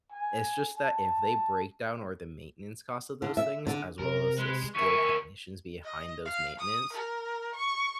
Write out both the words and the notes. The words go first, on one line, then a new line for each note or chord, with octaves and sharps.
it's just that if they break down or the maintenance costs of those things, as well as the skilled technicians behind those maintenance,
G#5
A5
D3
E5
D3
C3 A#4
G#3 B4
D2 A#4 E5 G#5 C#6
D#5
F5
D#6
A#4
C#6